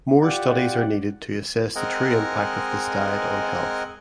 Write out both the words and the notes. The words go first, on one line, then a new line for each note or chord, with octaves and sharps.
More studies are needed to assess the true impact of this diet on health.
F4 G4 D5 F#5
G#3 C4 A#4 D#5 F#5 G#5